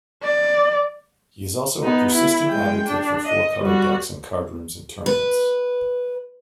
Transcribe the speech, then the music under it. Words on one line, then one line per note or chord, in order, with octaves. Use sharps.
He is also a persistent advocate for four-color decks in card rooms and tournaments.
D5
B3 D#4
E4
G#3 G5
D4
D#5
G3 F#4
B4